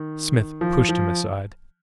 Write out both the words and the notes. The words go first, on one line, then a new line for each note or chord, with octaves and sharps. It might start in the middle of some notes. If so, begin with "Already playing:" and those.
Smith pushed him aside.
Already playing: D#3
F3
F3